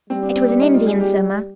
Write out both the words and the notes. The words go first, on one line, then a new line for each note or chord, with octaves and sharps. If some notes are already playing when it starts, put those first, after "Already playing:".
It was Indian Summer.
G3 C4
D4
C4
D4
D#4
F4
G#4
G4